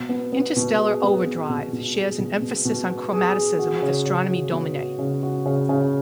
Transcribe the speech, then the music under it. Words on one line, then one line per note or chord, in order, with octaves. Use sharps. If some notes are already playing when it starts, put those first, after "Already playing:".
"Interstellar Overdrive" shares an emphasis on chromaticism with "Astronomy Domine".
Already playing: B2
B3
B3
B2
G#4
B3
B3
B2
B2
G#4
B2
B2
B2
B3
G#4
G#4
F#4
C#3
C#3
F#4
B3
F#4
C#3
F#4
C#3
C#3